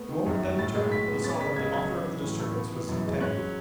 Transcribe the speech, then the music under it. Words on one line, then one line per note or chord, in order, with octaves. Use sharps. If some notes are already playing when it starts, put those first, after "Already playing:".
The moment that he turned he saw that the author of the disturbance was Zu-tag.
Already playing: A3 B3
D#3
F#2
F#3
A2 A6
G#3
A2 B6
B3
C#4 A6
C#3 B6
C#2 G#6
F#3 G#6
C#4
E3
A2
A3
B3
E3
F#2
G#3
C#4 F#6
F#3